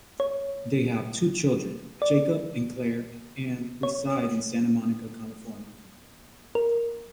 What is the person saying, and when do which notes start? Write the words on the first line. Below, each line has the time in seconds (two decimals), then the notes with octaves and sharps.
They have two children, Jacob and Claire, and reside in Santa Monica, California.
0.20 C#5
2.02 D5
3.83 C#5
6.55 A#4